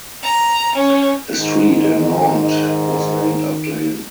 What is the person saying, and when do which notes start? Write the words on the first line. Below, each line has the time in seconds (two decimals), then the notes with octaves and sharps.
A street in Nantes was named after him.
0.23 A#5
0.75 C#4
1.38 G#2 D#3 D#5